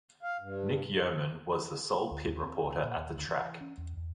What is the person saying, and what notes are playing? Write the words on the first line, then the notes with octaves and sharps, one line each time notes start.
Nick Yeoman was the sole pit reporter at the track.
F5
G2
D2
D#2
C4
D2
A#2
D#2
D2
E3
C#4
E2
E2